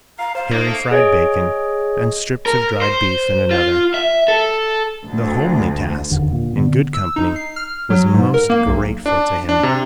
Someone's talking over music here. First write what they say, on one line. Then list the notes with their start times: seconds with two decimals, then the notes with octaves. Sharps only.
Harry fried bacon and strips of dried beef in another. The homely task in good company was most grateful to him.
0.19 F5 A#5
0.35 C5 F5
0.52 A#3 D#4
0.66 A3
0.91 G#4 C#5 D#5
2.46 A#4
2.82 C5
3.51 F4
3.94 E5
4.28 A4
5.06 D2
6.10 F1 D#2 D3
6.32 A#2
6.56 D3 B3
6.94 E6
7.16 D#4
7.36 C7
7.56 F6
7.90 F#3
8.14 G#2
8.34 A#4
8.50 A#3
8.67 B1
9.06 D4
9.49 D4
9.63 C3